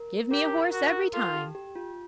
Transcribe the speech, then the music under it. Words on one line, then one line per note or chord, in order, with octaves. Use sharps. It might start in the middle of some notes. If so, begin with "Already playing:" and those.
Give me a horse every time.
Already playing: A#4
G4 A#4
F#4
F4 A4
G4
G4
F4